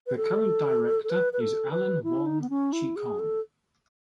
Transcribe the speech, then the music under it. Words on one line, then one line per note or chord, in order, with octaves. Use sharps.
The current director is Alan Wong Chi-kong.
B4
A4
A4
B4
B4
A4
B4
E4
D#4
B3
C#4
E4
G#4
A4